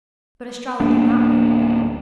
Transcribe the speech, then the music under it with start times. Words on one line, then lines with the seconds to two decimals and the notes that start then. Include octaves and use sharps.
But Estralla did not move.
0.80 D1 A#3 B3 D4